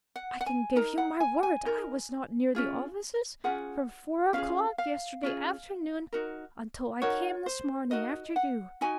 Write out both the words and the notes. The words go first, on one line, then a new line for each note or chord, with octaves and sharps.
"I can give you my word I was not near the offices from four o'clock yesterday afternoon until I came this morning, after you."
F#5
F#5
G#5
D#4 A#4 A#5
F#5
G#5
G#5
D#4 A#4
C#4 F4 G#4
C#4 F4 G#4 F#5
C#4 F4 G#4 F5
F5
C#4 F4 G#4
D#4 F#4 A#4
D#4 F#4 A#4 C#5
C5
D#4 F#4 A#4 D#5
F#5
D#4 F#4 G#5